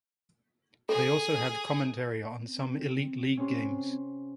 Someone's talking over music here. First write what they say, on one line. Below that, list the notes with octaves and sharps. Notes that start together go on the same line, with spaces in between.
They also have commentary on some Elite League games.
G#4 A4
C4
C3 C#4